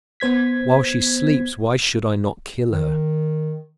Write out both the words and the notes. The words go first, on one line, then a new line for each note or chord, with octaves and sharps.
While she sleeps why should I not kill her?
B3 C5 G#6 B6
D#3